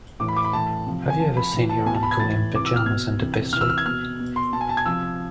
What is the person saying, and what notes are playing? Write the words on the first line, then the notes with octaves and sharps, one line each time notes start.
Have you ever seen your uncle in pyjamas and a pistol?
A2 E3 D6
B5
D6
B5
A2 E3 A5
C3 F3
G#5
C3 F3 A5
B5
A2 E3
A5
B2 G#5
A5
B5
G#6
A2 E3 A6
C3 E3 D6
E6
F6
B2 G#6
C3 E3
C3 E3 E6 F6
F6
G#6
B2 F6
B2
C6
B2 A5
G#5
A5
G#6
C3 F3 E6